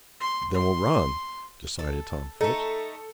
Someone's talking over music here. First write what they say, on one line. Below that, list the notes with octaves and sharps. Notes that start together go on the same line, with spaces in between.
"Then we'll run," decided Tom Phipps.
C6
C6
A4
A3 D#4 A4